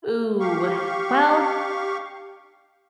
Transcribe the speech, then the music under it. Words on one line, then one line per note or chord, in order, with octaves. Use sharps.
Ooh, well,
G4 F5 C#6